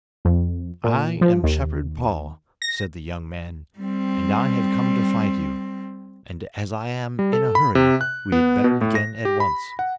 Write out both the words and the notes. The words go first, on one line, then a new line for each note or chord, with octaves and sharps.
'I am Shepherd Paul,' said the young man, 'and I have come to fight you, and as I am in a hurry we had better begin at once.'
F2
A#2
F3
D#2
A#6
G3 C4
G3
A4
B5
C3
F#6
B3
B2
A2
A#6
G4
B5
F#5